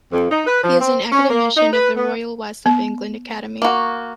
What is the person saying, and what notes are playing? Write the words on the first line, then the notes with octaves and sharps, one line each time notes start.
He is an academician of the Royal West of England Academy.
F2
D#4
B4
F3
C4
C#4
A#3
D#4
B4
B3
B3
A#3 F#4